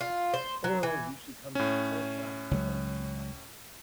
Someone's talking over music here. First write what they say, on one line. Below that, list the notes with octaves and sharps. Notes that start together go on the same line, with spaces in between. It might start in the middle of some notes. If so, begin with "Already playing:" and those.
Oil usually comes in a clay flask that holds two pints.
F4
C5
F#3
E3
A2 C#4
C#2 F#3